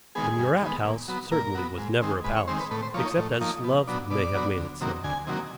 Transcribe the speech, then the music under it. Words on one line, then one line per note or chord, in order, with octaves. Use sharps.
The Murat house, certainly, was never a palace, except as love may have made it so.
D#3 G#3 B3 G#4
G2
D#3 G#3 B3
A#2
F#3 B3
A#2 A#4
F#3 B3
G#2
D#3 G#3 C4
G#2 B4
C#5
D#3 G#3 C4 C5
B4
A2 B4
C5
F3 A#3 D#4 C#5
C#5
A2
F3 A#3 D#4
B2
F#3 B3 D4
B2 D5
F#3 B3 D4
D2
C3 D#3 F#3 A#3
D2 G#5
C3 D#3 F#3 A#3